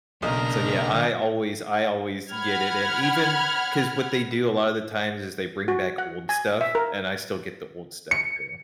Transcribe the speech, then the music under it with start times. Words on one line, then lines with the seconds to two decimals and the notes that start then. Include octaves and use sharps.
So, yeah, I always I always get it, and even 'Cause what they do a lot of the times is they bring back old stuff, and I still get the old stuff, too.
0.22 B1 A#2 C#3 D4 A#4 D#5 A#5
2.33 F#5 B5 F6 G#6
5.68 F#4
5.98 F#5
6.29 G#5
6.61 E5
6.75 A#4
8.11 C#7